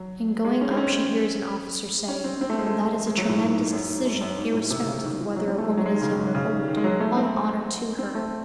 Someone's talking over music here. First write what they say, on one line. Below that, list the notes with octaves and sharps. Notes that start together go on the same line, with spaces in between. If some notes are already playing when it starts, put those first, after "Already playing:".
In going up she hears an officer say, 'That is a tremendous decision irrespective of whether a woman is young or old; all honor to her!'
Already playing: F#3
G#3
C#4
C4
C#4
C#4
C4
C4
A3
G#3
A3
G#3
F#3
A2
G#2
G#2
F#2
G#2
F#2
F#2
G#2
A2
C3
C#3
D#3
E3
F#3
C4
A3
G#3
F#3
G#3
D#3
C#3
G#2
C#3
D#3
D#3
G#3
F#3
A3
C4
C4
A3